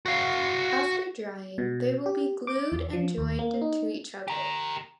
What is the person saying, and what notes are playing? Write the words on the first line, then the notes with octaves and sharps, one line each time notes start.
After drying, they will be glued and joined to each other.
F#4 F5
B2
G4
D6
E2
F3
D#2
A#3
D#4
G4 A#4